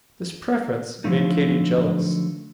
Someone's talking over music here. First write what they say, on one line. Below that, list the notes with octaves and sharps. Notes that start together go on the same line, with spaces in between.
This preference made Katy jealous.
D3 F3 F#3 A3 D#4